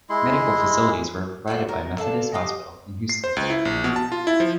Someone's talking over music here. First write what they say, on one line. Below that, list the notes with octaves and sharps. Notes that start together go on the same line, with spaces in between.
Medical facilities were provided by Methodist Hospital in Houston.
G#3 E4 C6
A2 G3 F#4 C5
A#4
D3 F5 A5
F#4 G4 D#5 F5
C7
C5
C#2
E4
A#1
B2
A5
F4
E4
F3